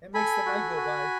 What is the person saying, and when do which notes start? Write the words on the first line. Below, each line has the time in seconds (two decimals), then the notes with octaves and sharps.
It makes the night go by.
0.14 A4 G#5 B5
0.46 F#4
0.77 F#4